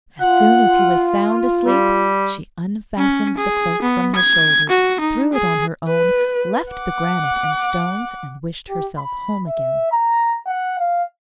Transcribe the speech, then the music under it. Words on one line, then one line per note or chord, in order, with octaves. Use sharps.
As soon as he was sound asleep she unfastened the cloak from his shoulders, threw it on her own, left the granite and stones, and wished herself home again.
F4 F#5
G3
C#4
G#4
B3
G#6
F#4
D#4
G#4
B4
F#5 D6
G4
B5
E5
A#5
F#5
F5